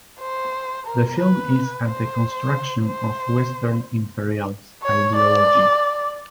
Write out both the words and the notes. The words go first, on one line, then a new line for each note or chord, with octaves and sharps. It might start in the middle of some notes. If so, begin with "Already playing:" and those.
The film is a deconstruction of Western imperialist ideology.
C5
A#4
B4
C5
C5
C#5
D5